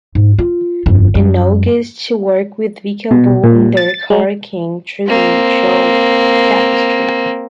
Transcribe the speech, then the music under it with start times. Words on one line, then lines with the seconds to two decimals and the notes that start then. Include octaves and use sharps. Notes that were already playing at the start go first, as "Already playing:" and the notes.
In August she worked with Vika Bull in their Carole King tribute show, "Tapestry".
0.15 G#2
0.39 F4
0.86 G1 F2
1.15 F#2
3.11 B2
3.44 A#2
3.77 A6
4.10 G#3
5.07 A#3 C4